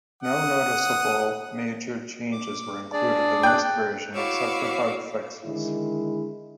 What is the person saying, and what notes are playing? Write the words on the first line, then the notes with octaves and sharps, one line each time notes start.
No notable major changes were included in this version except for bug fixes.
F#5 D#6
D6
D4 G#4 D5
G5 F#6
E4 F#4 C#5 F5 D6 E6
D3 D#3 G#3 E4